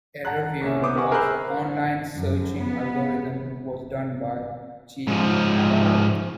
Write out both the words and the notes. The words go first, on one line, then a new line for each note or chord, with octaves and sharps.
A review of on-line searching algorithms was done by G. Navarro.
F#5 A5 A#5 F#6
C2 A#3 C#4 E5
B3 C5 D6 D#6
G4 A#4 E5 F#5 G#5 C#6
G#4 A#4 C5 B5 E6 F#6
F#2
B3
G#2 F3